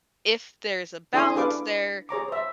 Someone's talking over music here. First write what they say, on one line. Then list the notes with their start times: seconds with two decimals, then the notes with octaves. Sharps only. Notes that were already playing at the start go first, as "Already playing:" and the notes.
if there's a balance there
1.14 D4 E4 A4 G#5 C6 D#6
1.36 D4 G#4 A4 B4 F5 D6
2.09 G#4 C#5 A#5 D6
2.28 C5 E5